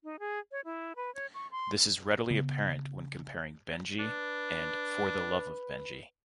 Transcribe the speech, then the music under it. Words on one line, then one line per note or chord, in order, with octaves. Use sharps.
This is readily apparent when comparing "Benji" and "For the Love of Benji".
D#4
G#4
C#5
E4
B4
C#5
C#6
C6
C#3 B3
D4 B4